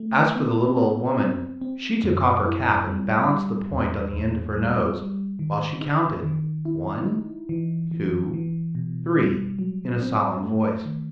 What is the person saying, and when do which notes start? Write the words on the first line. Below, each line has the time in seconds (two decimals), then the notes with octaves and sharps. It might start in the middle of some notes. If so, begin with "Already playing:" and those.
As for the little old woman, she took off her cap and balanced the point on the end of her nose, while she counted "One, two, three" in a solemn voice.
Already playing: A3
0.35 B3
0.78 B3
1.19 C4
1.61 C4
2.04 F#2
2.45 E4
2.87 G3
3.29 G3
3.72 E2
4.13 E2
4.55 G3
4.97 G3
5.39 D#3
5.81 D#4
6.23 D#3
6.65 E4
7.07 D#4
7.49 E3
7.91 E3
8.34 E3
8.75 B2
9.17 G3
9.59 F#3
10.02 C4
10.43 A3
10.85 D#3